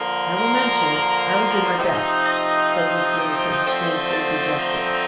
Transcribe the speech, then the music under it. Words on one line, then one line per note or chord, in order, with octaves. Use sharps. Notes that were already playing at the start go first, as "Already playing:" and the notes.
"I will mention it: I will do my best," said Miss Middleton, strangely dejected.
Already playing: D3 F3 A#3
A#4
C3 F3 C4 D#4
D#5
F5
G5
D3 F3 A3 C4
A5
A#5